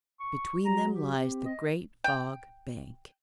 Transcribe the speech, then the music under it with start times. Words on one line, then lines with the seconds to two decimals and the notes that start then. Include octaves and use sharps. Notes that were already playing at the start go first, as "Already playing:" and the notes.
"Between them lies the Great Fog Bank."
0.20 C#6
0.65 F#3 A#5
0.94 G4
1.17 C4
1.45 D#5
2.04 G5